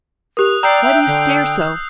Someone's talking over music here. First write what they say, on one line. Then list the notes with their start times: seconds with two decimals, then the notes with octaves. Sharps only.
Why do you stare so?
0.37 G4 A#4 D#6 F#6 F7
0.63 D5 G5 A#5 E6 G6 C7
0.84 E5
1.07 D3